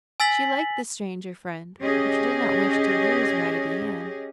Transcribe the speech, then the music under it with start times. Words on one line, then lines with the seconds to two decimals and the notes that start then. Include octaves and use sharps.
She liked the stranger friend, but she did not wish to lose Raggedy Ann.
0.20 G#5 E6 A6 B6 F#7
1.80 C#4 G4 G#4 D#5